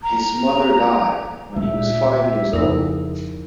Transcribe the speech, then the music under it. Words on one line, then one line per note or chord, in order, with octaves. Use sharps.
His mother died when he was five years old.
A#5
D2 A#2 A3 E5
F2 C#3 D#4 E4 A#4